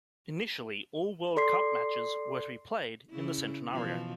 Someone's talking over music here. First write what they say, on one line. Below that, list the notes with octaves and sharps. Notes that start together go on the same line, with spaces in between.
Initially, all World Cup matches were to be played in the Centenario.
A4 D5 C6 B6 C7
C#3 E4
B2 E3 F3